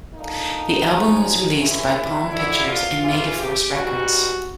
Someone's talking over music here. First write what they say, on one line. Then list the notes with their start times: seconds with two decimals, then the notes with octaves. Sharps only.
The album was released by Palm Pictures and Megaforce Records.
0.12 D3 F3 A#3 D#4
0.83 G#2 F3 G#3 C#4
1.56 C3 D#3 G#3 C#4 E4
2.28 F2 D3 F#3 E4
2.64 F4
3.00 C#3 E3 G#3 F4
3.36 G4
3.72 G#2 E3 G3 F#4